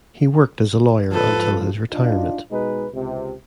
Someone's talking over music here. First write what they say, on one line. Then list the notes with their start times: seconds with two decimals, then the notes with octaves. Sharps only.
He worked as a lawyer until his retirement.
1.12 G#2 F3 A4 B4
1.91 D4 D#4 F4
2.50 B2 G#3 D#4 B4
2.93 C#2 C3